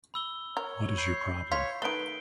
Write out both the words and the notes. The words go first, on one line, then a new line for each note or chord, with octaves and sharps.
What is your problem?
B5 E6 G7
A#4 C#5
B5 G6 C7
F4 C#5 B6
D#3 A3 B4 D7 G7